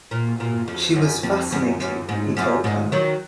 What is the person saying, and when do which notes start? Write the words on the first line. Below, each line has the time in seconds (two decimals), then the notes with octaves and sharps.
She was fascinating, he told her.
0.11 A#2
0.40 A#2
0.68 F2
0.96 F#2
1.23 F2
1.52 F#2
1.80 F#2
2.09 G#2
2.37 F#2
2.64 G#2
2.92 D#3 F#3